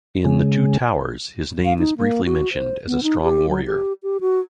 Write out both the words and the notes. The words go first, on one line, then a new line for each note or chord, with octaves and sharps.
In "The Two Towers", his name is briefly mentioned as a strong warrior.
C#3 G#3
F5
D#4
A#3
F#4
C5
B3
D#4
G4
F#3
G4
G4
F#4